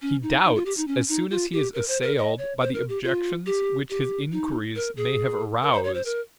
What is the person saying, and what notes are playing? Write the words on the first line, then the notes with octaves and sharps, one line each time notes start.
He doubts as soon as he is assailed by the objections which his inquiries may have aroused.
C#4
D#4
D#4
F4
G4
D#4
C#4
D#4
F4
G4
A#4
C5
A#4
D#5
C#5
C5
A#4
G4
F4
G4
G4
D#4
A#4
G#4
A#4
C5
C#5
C5
A#4